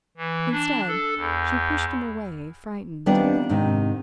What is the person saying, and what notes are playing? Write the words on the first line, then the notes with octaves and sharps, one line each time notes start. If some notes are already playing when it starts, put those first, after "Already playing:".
Instead, she pushed him away--frightened.
E3
D4
A4
E2
D#3 G3 B3 C4 D4 F4
G#2 C3 D#3